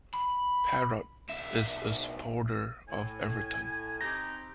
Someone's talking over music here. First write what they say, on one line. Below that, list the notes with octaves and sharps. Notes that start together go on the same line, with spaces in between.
Parrott is a supporter of Everton.
B5
B1 E5
A2 G#5
C4 D#4 G4 A#6